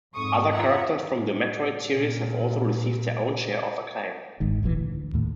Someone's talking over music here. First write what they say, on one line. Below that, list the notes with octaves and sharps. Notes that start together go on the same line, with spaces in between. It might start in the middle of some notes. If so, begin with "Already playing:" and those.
Other characters from the "Metroid" series have also received their own share of acclaim.
F2 G#2 C#6 D#6
F4 E5 F#5 A#5
A2
A#2
G1 G#2 D#3
D1 A#1 A2 E3
D2
D#2 A2